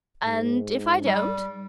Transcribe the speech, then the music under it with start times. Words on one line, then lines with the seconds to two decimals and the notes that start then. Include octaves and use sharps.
"And if I don't?"
0.24 G#2
1.05 G3